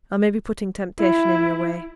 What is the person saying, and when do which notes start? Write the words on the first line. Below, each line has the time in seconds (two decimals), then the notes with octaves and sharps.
I may be putting temptation in your way.
1.00 E4